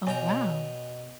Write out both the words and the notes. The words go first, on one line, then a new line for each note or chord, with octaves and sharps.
Oh, wow.
B2 C#5 G5 G#5 A#5